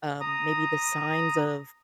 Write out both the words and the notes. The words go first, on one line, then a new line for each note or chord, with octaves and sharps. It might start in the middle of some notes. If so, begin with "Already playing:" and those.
Um, maybe the signs of
A#5 D#6